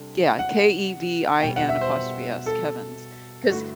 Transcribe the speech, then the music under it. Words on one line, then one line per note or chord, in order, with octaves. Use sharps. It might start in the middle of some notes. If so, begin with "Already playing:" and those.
Yeah, K-E-V-I-N, apostrophe S, Kevin's. 'Cause
Already playing: C3 G3 D4 A4
F#5
B2 G3 B3 G5
F#5
E5
C5
A4
G2 D3 A3 E4 F#4